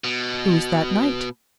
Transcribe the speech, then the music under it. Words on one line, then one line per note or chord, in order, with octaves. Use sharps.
Who is that knight?
B2